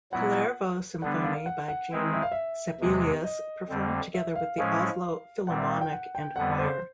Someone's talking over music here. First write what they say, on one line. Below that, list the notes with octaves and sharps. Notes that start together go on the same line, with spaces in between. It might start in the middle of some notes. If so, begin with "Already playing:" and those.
"Kullervo-symfoni" by Jean Sibelius performed together with the Oslo Philomonic and choir.
A#2 F#3 B3 E4 F#5
D3 G3 B3 D4 F#5
F5
F#5
F#5
D#3 G#3 C4 E4
E5
F5
E5
E2 C3 E3 G#3
D#5
F2 D3 G3 C4
E5
F5
A2 F3 G#3 C#4 E4 F5
A#2 G3 C4 F#5
E5
F5
G5
F#5
G5
F2 D3 G3 B3 F#5
C5